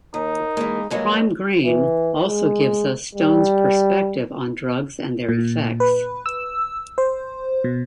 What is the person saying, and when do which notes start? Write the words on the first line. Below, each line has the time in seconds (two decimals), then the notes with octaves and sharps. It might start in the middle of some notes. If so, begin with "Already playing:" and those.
"Prime Green" also gives us Stone's perspective on drugs and their effects.
0.14 D#2 D#4 A#4
0.57 E3 G#3 A#3
0.90 G2 F#3 G#3 A#3 B4
1.64 E3
2.25 G#3
3.15 G3
5.29 A#2
5.80 B4
6.26 E6
6.98 C5
7.64 B2